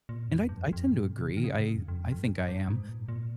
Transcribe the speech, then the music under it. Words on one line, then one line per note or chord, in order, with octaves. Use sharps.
And I I tend to agree, I I think I am.
A#2
F2
G2
F2
F2
G#2
A#2
C3
C#3
D#3
C#3
G2
F2
F2
F2
G2
G2
G#2
A#2
A#2